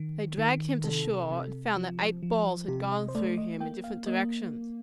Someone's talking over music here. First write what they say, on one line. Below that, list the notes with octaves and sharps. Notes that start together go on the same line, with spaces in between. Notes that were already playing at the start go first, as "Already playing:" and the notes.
They dragged him to shore, and found that eight balls had gone through him in different directions.
Already playing: D#3
D#3
C3 A4
C3
F3
F3
C3 G4
D#5
C5
A3 D5
D#5
A#3 G5
F5
A#3 D#5